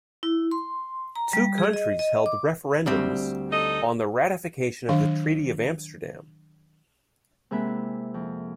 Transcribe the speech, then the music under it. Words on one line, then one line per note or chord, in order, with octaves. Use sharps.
Two countries held referendums on the ratification of the treaty of Amsterdam.
E4
C6
A#5
G3
G#4
D#5
D#5
D6
D2 G3 C4
D#4 A4 D#5
D#3 F#3 D4 F5
C3 G#3 A#3 E5 F#5 B5
E4
F2